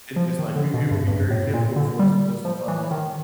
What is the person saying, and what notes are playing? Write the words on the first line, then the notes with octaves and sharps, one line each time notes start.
and it's like we it would be very difficult for us to justify
F3
D#3
D3
B2
G2
G2
A2
A#2
D3
G3
F3
E3
D#3